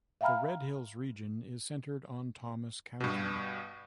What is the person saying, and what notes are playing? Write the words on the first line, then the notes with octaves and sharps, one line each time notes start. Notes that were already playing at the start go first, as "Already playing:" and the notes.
The Red Hills Region is centered on Thomas County.
E5 F5 G5 A#5 B5 F6
G2 B2